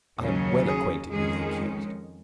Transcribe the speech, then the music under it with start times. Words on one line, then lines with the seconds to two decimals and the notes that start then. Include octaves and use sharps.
I am well acquainted with the accused.
0.19 D#2 C#3 F#3 C#4
0.66 G#4
1.11 F2 D#3 G#3 C#4 G#4